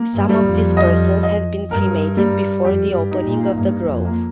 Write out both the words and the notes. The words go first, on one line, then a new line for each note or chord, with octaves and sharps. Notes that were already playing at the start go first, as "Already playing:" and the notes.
Some of these persons had been cremated before the opening of the grove.
Already playing: A#3
G2
G3
F2
D#5
D#5
G2 A#4
G3
F2 G4
G2
D#4
A#2
G2 A#3
F2
A#3